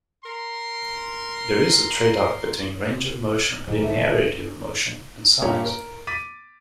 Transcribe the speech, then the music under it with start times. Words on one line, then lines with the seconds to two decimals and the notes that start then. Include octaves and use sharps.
There is a tradeoff between range of motion, linearity of motion, and size.
0.24 A#4 C6
3.67 D1 G#2 F#3
3.84 G#1 C#2 A#2 A3
5.42 G2 A#2 A#3 C#4 G4 C#5
5.66 A#4
6.07 D6 A6 B6 D#7